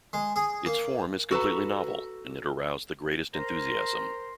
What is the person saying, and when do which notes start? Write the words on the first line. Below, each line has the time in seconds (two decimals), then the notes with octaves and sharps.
Its form is completely novel and it aroused the greatest enthusiasm.
0.13 G#3
0.36 G#4
0.66 A#3
1.31 F#4 A4 B4 A#5
3.34 A#4 C5 A#5 C6